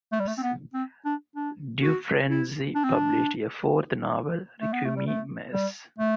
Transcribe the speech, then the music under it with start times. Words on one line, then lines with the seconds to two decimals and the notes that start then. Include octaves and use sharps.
Dufresne published a fourth novel, Requiem, Mass.
0.12 A3
0.20 G3
0.27 A3
0.38 C4
0.43 B3
0.74 C4
1.05 D4
1.36 D4
1.82 F#4
2.29 E4
2.75 D4
2.84 C4
2.94 D4
4.60 A3
4.72 B3
4.85 A3
4.96 G3
5.07 A3
5.53 G3
5.98 A3